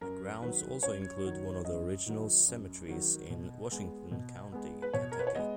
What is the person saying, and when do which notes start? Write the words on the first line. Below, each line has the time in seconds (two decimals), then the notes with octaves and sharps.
The grounds also include one of the original cemeteries in Washington County, Kentucky.
0.01 F#2 A#4
0.41 D#3 F#3 B4
0.83 F#2 C#5
1.25 D#3 F#3
1.65 F#2 D#5
2.06 D#3 F#3
2.48 F#2
2.88 D#3 F#3
3.30 B2
3.71 G#3 B3
4.11 B2
4.52 G#3 B3
4.82 B4
4.93 B2 C#5
5.12 A#4
5.19 B4
5.27 C#5
5.35 G#3 B3 D#5